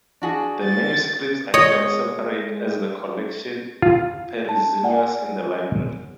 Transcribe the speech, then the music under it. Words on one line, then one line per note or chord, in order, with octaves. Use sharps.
The manuscripts are kept separate as the Collection Perizonius in the library.
D4 F#4 G#4
A6
G#3 C#5 D#5
F4
A5
D5 F#5 G#5